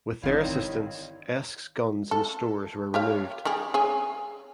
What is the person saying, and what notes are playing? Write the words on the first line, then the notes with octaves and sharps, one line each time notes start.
With their assistance "Esk"s guns and stores were removed.
G1 D#3 G3 C4 E4 C#5 F5
A4
G4 C#5 F5
G3 G4 G#4
G#4 C#5 G#5